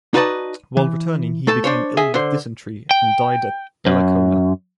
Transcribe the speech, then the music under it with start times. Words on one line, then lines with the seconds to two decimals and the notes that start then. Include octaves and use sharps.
While returning, he became ill with dysentery and died at Bella Coola.
0.14 D#4 F#4 B4 D5 D#5 A5
0.77 E3
1.47 A3 A4 A5
1.64 D4 C5 C#5
1.97 G#4 D#5 E5 G#5
2.14 D3 C5
2.91 G5
3.87 F#2